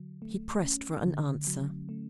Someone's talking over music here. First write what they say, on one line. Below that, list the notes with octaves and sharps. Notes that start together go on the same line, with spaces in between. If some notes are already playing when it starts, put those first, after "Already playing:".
He pressed for an answer.
Already playing: D3 F#3
A3
C#4
D3
F#3
A3